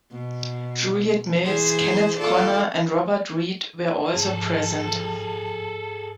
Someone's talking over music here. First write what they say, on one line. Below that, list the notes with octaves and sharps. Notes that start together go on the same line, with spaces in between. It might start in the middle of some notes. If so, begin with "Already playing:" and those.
Juliet Mills, Kenneth Connor and Robert Reed were also present.
B2
E3 G#4 C5
F4 A4 D5
G#2 F3 G#4 A4 A5